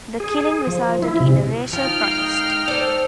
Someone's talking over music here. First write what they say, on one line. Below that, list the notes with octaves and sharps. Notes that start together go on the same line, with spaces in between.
The killing resulted in a racial protest.
G#4
F3
E4
C3
F3 D#4 F4 G5 F6
G#3 F5
A4 C5 D5